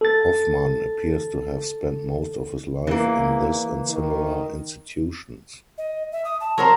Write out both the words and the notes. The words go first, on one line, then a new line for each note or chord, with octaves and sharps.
Hofmann appears to have spent most of his life in this and similar institutions.
A4 A6
E2 E3 A#3
D#3
D#5
E5
D#6
A5
F#3 A#4 C5